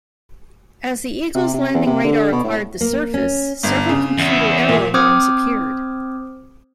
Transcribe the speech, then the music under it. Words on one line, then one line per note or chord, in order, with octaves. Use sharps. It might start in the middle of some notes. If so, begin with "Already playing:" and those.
As the "Eagle"'s landing radar acquired the surface, several computer error alarms appeared.
C3
C3
E2
C3
D3
B2
A2
A#3
C#4
G1
C#3
E2 E5
A#2
C4 C5 D6 D#6 F6 G#6